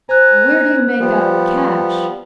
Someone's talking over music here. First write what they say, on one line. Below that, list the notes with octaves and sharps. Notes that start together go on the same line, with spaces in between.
"Where do you make out cash?"
C5 G#5 A#5 F#6
F3 G3 B3